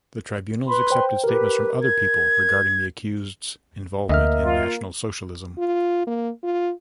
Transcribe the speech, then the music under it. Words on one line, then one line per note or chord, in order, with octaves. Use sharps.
The tribunals accepted statements from other people regarding the accused's involvement in National Socialism.
B4 B5 C6
C5 G5
G4 A#4 B4
G#6
D2 A#3 D#5 E5 F6
F4
F4
A#3
F4